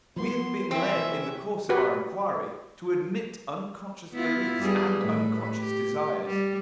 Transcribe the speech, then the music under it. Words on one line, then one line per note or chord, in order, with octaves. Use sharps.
We have been led, in the course of our inquiry, to admit unconscious beliefs and unconscious desires.
F3 A#3 B3 C6
E3 C4 C#4 E5
F#4 G4 B4
B3 E4 F4
G2 G3 G#4
A2 B4
G4
G3